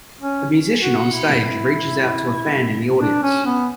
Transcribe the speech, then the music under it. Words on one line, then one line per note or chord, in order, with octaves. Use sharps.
A musician on stage reaches out to a fan in the audience.
C#4
F#4
E4
D4
C#4
B3